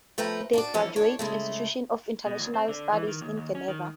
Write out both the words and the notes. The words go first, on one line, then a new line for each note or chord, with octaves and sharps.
Dunkel was educated at the Graduate Institute of International Studies, in Geneva.
F3 A3 B4 G5 A#5
D4 F#4 D5
D3 E3 F3 C#4 A4
D4 C#5
C#3 G#3 A3
B2
D2
C4
D3
E3
D#3
D#2
D#2
C#4
D#3